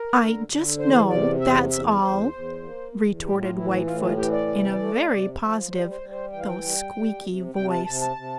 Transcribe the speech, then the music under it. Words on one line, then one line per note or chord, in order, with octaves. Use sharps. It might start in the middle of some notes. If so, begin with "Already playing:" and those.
"I just know, that's all," retorted Whitefoot in a very positive though squeaky voice.
Already playing: A#4
D3
D3
E2 C5
C3 D5
E2 E5
E2 E5
E2 C5
E2
A#3
E2
A2 G4
F4
E3 E4
A2 F4
F4
E3 G4
D5
C3
A3
C3
F3
G3 C5
C5
G3
C5
E3 G5
F5
G5
G3
G3
C3
C3 G5
A5
C3 A5
A5
C3